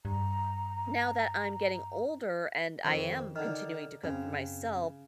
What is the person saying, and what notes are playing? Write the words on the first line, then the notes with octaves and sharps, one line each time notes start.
now that I'm getting older and I am continuing to cook for myself,
G2 A#5
F2 D#3 C4
D3 D#3 F6
F#2 C#3 C4